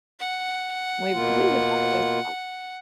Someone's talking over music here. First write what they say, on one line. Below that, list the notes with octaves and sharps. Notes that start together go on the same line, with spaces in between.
we we would always, uh
F#5
B2 A#3 F4